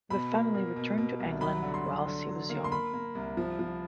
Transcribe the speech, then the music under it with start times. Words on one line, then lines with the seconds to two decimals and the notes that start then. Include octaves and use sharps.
The family returned to England whilst he was young.
0.10 B2 B5
0.32 A#3
0.54 A#3
0.76 B2
0.98 B2
1.20 C2
1.41 F#3 B5
1.63 D3
1.74 C6
1.85 F#3
2.06 D3
2.28 F#3
2.50 A#3
2.64 C6
2.72 A#3 B5
2.93 A#3
3.15 C2
3.37 F3
3.59 F3